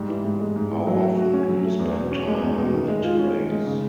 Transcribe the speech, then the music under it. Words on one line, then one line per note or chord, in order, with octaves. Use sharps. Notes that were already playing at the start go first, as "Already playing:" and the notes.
How often do you spend time on the terrace?
Already playing: G#2 G3
E3
G#2
G#3
G#2
E3
F#3
A3
F#4
C#4
F#3
A3
E2
B2
C#4
G#3
E2
B2
D#3
G#3
F4
C#4
D#3
G#3
C#3